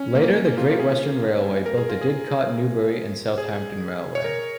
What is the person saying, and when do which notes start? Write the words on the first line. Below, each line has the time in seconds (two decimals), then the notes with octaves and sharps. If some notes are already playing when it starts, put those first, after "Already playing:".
Later, the Great Western Railway built the Didcot, Newbury and Southampton Railway.
Already playing: C#4
0.15 A#3
0.58 F4
0.71 F4
0.80 G#4
1.66 A#4
1.77 G#4
1.89 F4
2.01 G#4
3.38 G#4
4.15 C#5
4.24 A#4